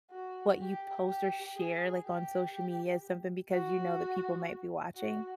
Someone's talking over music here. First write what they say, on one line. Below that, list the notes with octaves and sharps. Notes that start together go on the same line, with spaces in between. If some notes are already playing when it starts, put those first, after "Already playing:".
what you post or share, like, on social media, something, because you know that people might be watching?
F#4
G4
G4
G#4
G4
F#4
F#4